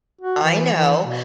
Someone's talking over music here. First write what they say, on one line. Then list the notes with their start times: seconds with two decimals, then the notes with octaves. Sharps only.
I know,
0.22 F#4
0.43 E3
0.73 E3
1.04 B2